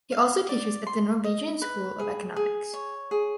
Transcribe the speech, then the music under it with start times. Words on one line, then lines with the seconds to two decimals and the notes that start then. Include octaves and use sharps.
He also teaches at the Norwegian School of Economics.
0.12 F5
0.49 D5
0.87 C6
1.24 D#5
1.62 B4
1.99 G#4
2.36 G#4
2.74 C#5
3.11 G#4